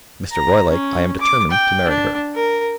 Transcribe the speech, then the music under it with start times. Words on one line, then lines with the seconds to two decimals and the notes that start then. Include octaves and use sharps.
Mr. Roylake, I am determined to marry her.
0.31 A#5
0.70 C#4
1.21 D6
1.51 G5
1.88 D4
2.35 A#4